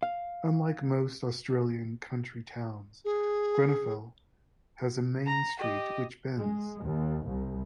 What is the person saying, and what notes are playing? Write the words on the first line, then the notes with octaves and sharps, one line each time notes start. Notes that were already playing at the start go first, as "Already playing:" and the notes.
Unlike most Australian country towns Grenfell has a main street which bends.
F5
G#4
A#5
G4 D#5
G#3
D#2
C2